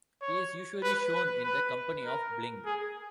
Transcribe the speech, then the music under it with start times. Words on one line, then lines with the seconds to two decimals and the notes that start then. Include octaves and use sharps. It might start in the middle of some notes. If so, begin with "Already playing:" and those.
He is usually shown in the company of Bling.
0.22 C#5
0.83 B4
1.13 B4
1.43 B4
2.05 A#4
2.66 G#4